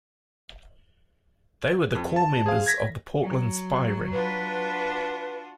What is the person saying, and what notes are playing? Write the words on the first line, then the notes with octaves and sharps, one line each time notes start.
They were the core members of the Portland Spy Ring.
F2
A5
G#4 C5 F5
G#6 A#6 B6
F#3
D4 F4 F#4 B4